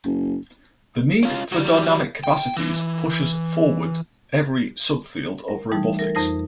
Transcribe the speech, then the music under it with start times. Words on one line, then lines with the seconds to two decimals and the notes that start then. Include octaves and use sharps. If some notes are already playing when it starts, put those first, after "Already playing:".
The need for dynamic capacities pushes forward every sub-field of robotics.
0.05 F#1
1.23 C#4 F4
1.52 F#3 G3
2.24 G5
2.57 E3
5.48 A#4
5.72 E3 G3 A3 D#4
5.97 A4 A#4 E5
6.15 F2 D#4 C5 A#6